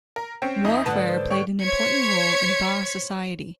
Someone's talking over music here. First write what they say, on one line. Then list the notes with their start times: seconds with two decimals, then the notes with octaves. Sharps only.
Warfare played an important role in Ba society.
0.16 A#4
0.42 C4 C#4 G5
0.65 F2 D#4 E5 D#6
0.86 G#2 D3 B4 F#5 A5
1.07 C5
1.30 C#5 G5 C#6
1.63 C5 C#5 G#6 B6 C#7